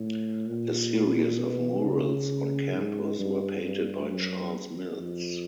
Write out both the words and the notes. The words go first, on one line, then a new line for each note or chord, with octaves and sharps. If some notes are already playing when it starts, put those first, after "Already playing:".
A series of murals on campus were painted by Charles Mills.
Already playing: A2
A#2
B2
C#3
G#2
G2
G2
F#2
F2